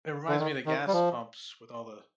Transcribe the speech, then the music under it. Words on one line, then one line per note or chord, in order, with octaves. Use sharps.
it reminds me of the gas pumps, with all the
D3
D#3
D#3
G3
F3